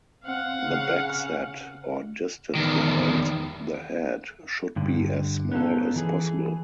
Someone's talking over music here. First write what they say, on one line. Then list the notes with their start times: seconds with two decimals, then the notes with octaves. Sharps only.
The backset, or distance behind the head, should be as small as possible.
0.25 C4 F5 F#5
0.65 C#3
2.55 E2 D#3
4.76 G2 D3
5.52 B3 C#4 D#4 F4 A4
5.96 E3 G#4